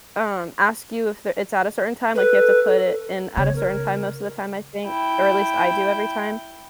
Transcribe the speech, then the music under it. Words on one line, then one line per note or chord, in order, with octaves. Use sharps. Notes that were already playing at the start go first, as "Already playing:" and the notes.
um, ask you if there it's at a certain time, like, you have to put it in at a certain time most of the time, I think, or at least I do every time.
A4 B4
C#3 B3 C#5
A#4
E4 G5